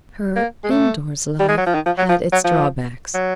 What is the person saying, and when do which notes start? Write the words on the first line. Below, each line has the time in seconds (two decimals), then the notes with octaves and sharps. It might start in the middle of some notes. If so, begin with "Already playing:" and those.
Her in-doors life had its drawbacks.
0.36 A#3
0.64 G#3
0.70 A3
1.40 G3
1.48 G#3
1.57 F#3
1.66 F3
1.75 D#3
1.86 F3
1.98 F#3
2.09 F3
2.32 F#3
2.44 F3
3.14 F#3